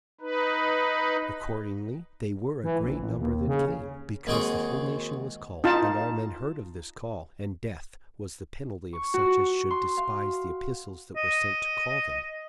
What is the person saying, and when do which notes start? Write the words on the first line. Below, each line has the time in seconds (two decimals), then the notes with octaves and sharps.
Accordingly, they were a great number that came, because the whole nation was called, and all men heard of this call, and death was the penalty of such as should despise the epistles that were sent to call them.
0.21 D#4 B4
2.64 E3
2.81 A#1
2.98 A1
3.19 D#2
3.47 C#3
4.27 D#2 G#3 C4 F#4 G#4 D#6
5.64 D#4 F4 A5
8.93 C#6
9.14 F#4
9.70 C6
9.97 F5
11.16 D#5